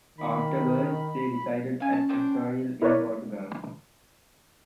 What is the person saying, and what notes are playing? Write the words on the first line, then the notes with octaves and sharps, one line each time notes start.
Afterwards, they resided at Estoril, in Portugal.
D#3 B5
C#4 F5 G#5
A5
D4 C5 G5
E4 A#4 B4 C#5 D5